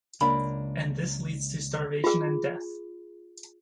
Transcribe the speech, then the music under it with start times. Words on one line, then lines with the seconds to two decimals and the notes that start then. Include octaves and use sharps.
And this leads to starvation and death.
0.21 C#2 A#3 D4 B5
2.04 F4 G#4